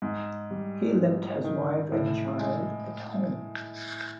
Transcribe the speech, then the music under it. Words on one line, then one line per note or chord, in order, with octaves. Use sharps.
He left his wife and child at home.
G#2
G3
G#2
D#3
A2
G#3